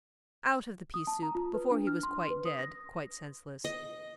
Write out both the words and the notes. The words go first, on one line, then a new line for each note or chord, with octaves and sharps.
Out of the pea-soup before he was quite dead, quite senseless.
D#6
A5
A#5
F4
B4
D4
F6
C6
B4
D#6
A#6
D#5